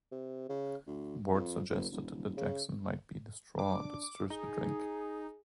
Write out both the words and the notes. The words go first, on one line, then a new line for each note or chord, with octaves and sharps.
Ward suggested that Jackson might be the straw that stirs the drink.
C3
C#3
D2
F2
F#1
D#1
C#3
D4 D6
D#4 G#4